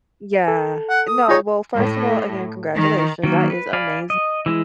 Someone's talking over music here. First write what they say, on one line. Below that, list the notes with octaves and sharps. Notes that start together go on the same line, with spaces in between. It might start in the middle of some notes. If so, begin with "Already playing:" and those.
Yeah. No. Well, first of all, again, congratulations. That is amazing.
A4
F#5
D#6
D#4 F4 G#4 C#5
A2
D#3
D#3 F#3 A#3
B4
D5 F5 G#5 B5
D#5
E3 G#3 E4